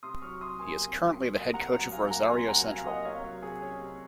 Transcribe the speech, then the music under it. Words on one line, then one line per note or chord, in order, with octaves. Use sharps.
He is currently the head coach of Rosario Central.
C3 C6 D#6
F#3 C#6 F6
C3 C6 D#6
A#3 G#5 C6
C3
F#3
C3
A#3
C3 F#5 A#5
F#3 F#5 A#5
C3 F5 G#5
A#3 F#5 A#5
C3 G#5 C6
F#3 F#5 A#5
C3 F5 G#5
A#3 D#5 F#5
C3 C#5 F5
F#3
C3 G#4
C#4
C3